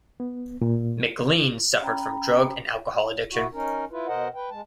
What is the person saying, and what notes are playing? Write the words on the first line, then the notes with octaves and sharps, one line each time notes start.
McLean suffered from drug and alcohol addiction.
B3
A#2
C#4 G5 A#5 B5
E4 F#4
C#4 D#4 A#4
E4 F4 B4
B2 A#4 C5 D#5 F#5
B4 G5
G#3 A5